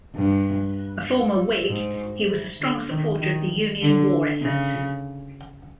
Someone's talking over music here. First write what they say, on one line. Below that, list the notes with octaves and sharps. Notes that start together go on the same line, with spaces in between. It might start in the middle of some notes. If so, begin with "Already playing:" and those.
A former Whig, he was a strong supporter of the Union war effort.
G2
G#2
D3
D#3
D#3
D3
C#3